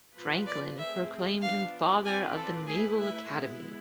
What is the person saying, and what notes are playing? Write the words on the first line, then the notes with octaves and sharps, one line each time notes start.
Franklin proclaimed him Father of the Naval Academy.
F3 B3 F4 B4
D5
A3 C4 G#4 E5
F3 B3 D4 F5
C4 F4 B4 D5 G#5
A4
A3 E4 G#4 B4
E5
G#3 B3 E4